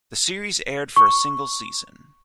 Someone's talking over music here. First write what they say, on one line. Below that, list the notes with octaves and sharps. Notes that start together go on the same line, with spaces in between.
The series aired for a single season.
C#6